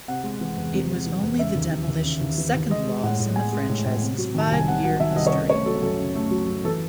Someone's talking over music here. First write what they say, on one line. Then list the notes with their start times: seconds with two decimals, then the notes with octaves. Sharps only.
It was only the Demolition's second loss in the franchise's five-year history.
0.08 C3 F#5
0.24 G#3
0.41 E3
0.57 E2
0.73 C3
0.90 G#3
1.06 E3
1.23 E2
1.39 C#3 E5
1.55 D#2
1.72 E3
1.88 D#2
2.05 C#3
2.21 D#2
2.38 E3
2.54 D#2
2.70 G#3 D#5
2.87 G#3
3.03 A2 F#5
3.20 A2
3.36 G#3 G#5
3.53 G#3
3.69 A2
3.85 A2
4.02 C3
4.18 F#3
4.35 D#3
4.40 A5
4.51 C2 G#5
4.67 C3 F#5
4.84 F#3 F#5
5.00 D#3 E5
5.16 C2 D#5
5.27 C#5
5.33 C#3 D#5
5.50 A3 C#5
5.66 F#3 A4
5.82 F#2 A4
5.98 C#3
6.15 A3
6.31 F#3
6.47 F#2
6.64 E3 A4